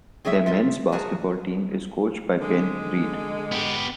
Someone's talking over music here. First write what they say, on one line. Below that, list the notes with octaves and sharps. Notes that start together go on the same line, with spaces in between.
Their men's basketball team is coached by Ben Reed.
C4 G#4 C#5 D#5 E5
F4 D#5 E5
F#4 G#4 A#4 A5
D3 G#3
B3 G4